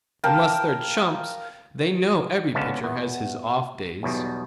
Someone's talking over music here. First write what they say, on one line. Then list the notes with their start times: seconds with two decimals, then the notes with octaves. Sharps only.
Unless they're chumps, they know every pitcher has his off days.
0.24 A#4 F5 G5 A5
2.55 C#2 D3 B3 C#4 F5 A5
2.84 E2 B3
4.03 B1 E2 B2 G3